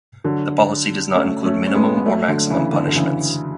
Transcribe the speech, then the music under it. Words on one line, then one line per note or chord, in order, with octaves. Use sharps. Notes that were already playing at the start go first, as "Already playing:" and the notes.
The policy does not include minimum or maximum punishments.
D3 F#3
A3 C#4
A3 C#4
C#4
G#3 B3
B3
F#3 A3
D3 F#3
C#3 E3
D3
D3
C#3 E3